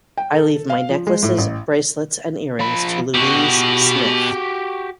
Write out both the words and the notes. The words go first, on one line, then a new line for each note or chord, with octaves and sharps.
I leave my necklaces, bracelets, and earrings to Louise Smith.
G5
A4
F5
F3
G#3
A2
A1
F3 B5
B2 F#4 G4